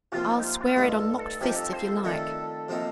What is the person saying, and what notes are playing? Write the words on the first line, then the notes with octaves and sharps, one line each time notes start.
'I'll swear it on locked fists, if you like.
C3 F3 A#3 F4
D#4
D#4
F4
F4
G2 D#3 A3 F4
A4
A4
F2 C3 F3 C4 D#4 G4
A4
C5
A4
F2 D#3 A3 D4 A4
C3 F3 A#3 D#4